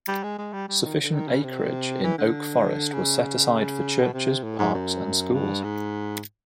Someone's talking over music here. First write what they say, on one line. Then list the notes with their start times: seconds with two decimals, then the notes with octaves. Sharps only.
Sufficient acreage in Oak Forest was set aside for churches, parks and schools.
0.08 G3
0.23 G#3
0.38 G#3
0.53 G3
0.68 G3
0.83 D#3
1.03 D3
1.14 D#3
1.28 C#3
1.43 C3
2.04 E3
2.18 D3
2.93 C#3
4.02 B2
4.14 C3
4.43 A2
4.59 G#2
4.74 F#2
5.33 G2
5.64 G#2